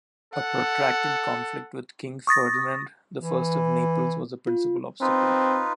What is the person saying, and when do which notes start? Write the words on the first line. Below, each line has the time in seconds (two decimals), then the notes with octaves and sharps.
A protracted conflict with King Ferdinand the First of Naples was the principal obstacle.
0.34 A4 F#5
2.27 C#6 D#6 A6 A#6
3.18 E3
4.47 F4
5.01 C4 D#4 F4 B4